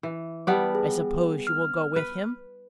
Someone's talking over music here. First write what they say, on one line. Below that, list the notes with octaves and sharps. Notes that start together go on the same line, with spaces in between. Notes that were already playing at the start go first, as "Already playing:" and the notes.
"I suppose you will go with him?"
E3
G3 B3 B4 D5 A5
G#4
F6
B4